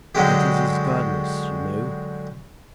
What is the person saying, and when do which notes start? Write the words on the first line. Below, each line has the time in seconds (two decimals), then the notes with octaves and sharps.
That is his Godness, you know.
0.15 D3 F#3 G#3 G4